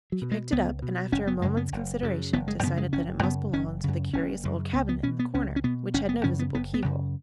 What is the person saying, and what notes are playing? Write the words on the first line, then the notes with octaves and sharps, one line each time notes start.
She picked it up, and after a moment's consideration decided that it must belong to the curious old cabinet in the corner, which had no visible keyhole.
F#3
B2
G#3
C#2 B3
B2
F#1 C#4
B3
F#2 C#3 G#3
B3
F#1
F#2 C#3
F#1 B3
G#3
F#2 C#3 B3
G#3
F#1 C#4
F#2 C#3 B3
F#1 C#4
F#2 C#3
F#1 C#4
F#2 C#3
C#2 B3
B3
B2 C#4
B3
C#2 C#4
C#4
B2 B3
F#1 C#4
B3
F#2 C#3 C#4
B3
F#1 B3
B3
F#2 C#3